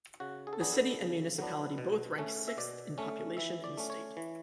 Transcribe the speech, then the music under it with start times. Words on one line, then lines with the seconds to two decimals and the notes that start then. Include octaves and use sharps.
The city and municipality both rank sixth in population in the state.
0.20 C#3 F#4
0.47 G#4
0.53 A4
0.60 F#3 B3 D4 G#4
0.73 A4
0.99 C#3
1.38 F#3 B3 D4
1.78 B2
2.18 A3 C#4
2.48 E5
2.57 B2 D5
2.98 A3 C#4
3.37 E3 E5
3.64 D5
3.78 A3 C#4
3.90 C#5
4.17 E3